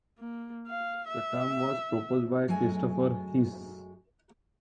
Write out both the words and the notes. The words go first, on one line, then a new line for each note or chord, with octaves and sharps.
The term was proposed by Christopher Hsee.
A#3
F5
E5
F#2 F#3 G#3 A3 G#5